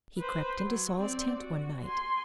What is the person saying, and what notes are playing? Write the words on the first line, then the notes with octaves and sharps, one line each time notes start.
He crept into Saul's tent one night.
B4 C5
F#3
C4 D5
F#4
G#5 C6